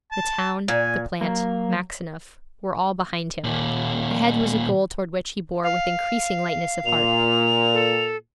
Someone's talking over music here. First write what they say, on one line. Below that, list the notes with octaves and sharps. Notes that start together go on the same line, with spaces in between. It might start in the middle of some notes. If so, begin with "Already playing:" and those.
The town, the plant, Maxineff, were all behind him. Ahead was a goal toward which he bore with increasing lightness of heart.
A5
A#2 G#5
F#3 A#3 A#5
D#2 A#2
F5
A#2 F7
A4